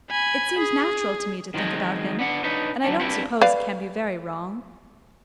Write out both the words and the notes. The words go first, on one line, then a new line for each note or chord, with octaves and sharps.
It seems natural to me to think about him, and I don't suppose it can be very wrong.
G#5 B5
G#4
D#3 F3 F#3 G#3 C4
B3 D4 F#5
D4 D#4 B4 C#5
F#3 B3 D4
C4 D4 E4 F#4 G4 B4
B4 D5 F5